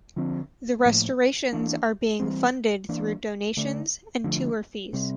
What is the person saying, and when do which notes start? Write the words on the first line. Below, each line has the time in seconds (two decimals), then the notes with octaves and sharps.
The restorations are being funded through donations and tour fees.
0.16 D3 F3 C4
0.84 A2 F3 A#3
1.53 E3 A#3 D4
2.20 E3 G3 C4
2.89 E3 A#3 D4
3.57 D3 A3 D4
4.24 D3 F3 A3
4.93 C3 G3 C4